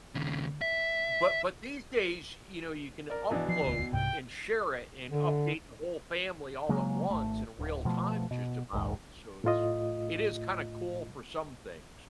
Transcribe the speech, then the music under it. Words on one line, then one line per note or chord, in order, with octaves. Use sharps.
But but these days, you know, you can upload and share it and update the whole family all at once in real time just about. So, it's it is kinda cool for some things.
D#2 C#3
E5
A#4 D5
B2 E3 D4
F3 C7
E1 D2
C2 G#2 C3 G5
D3
C#3 F#3 G#3 A#3
G#1 A3
D1
B2 F3 F#3 A3
B2
A#1 D#2 G#2 D#3
A2 A3 F4 D#5